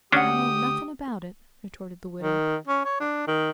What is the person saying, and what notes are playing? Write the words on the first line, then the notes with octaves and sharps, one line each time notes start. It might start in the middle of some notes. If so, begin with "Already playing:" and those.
"I know nothing about it," retorted the widow.
D2 C#4 D4 G4 F#5 D#6
D#3
C#4
C#5
D4
D#3